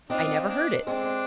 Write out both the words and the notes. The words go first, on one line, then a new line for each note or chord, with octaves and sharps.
"I never heard it."
C4 D4 D#4 F4
D4
G#3 C4 D4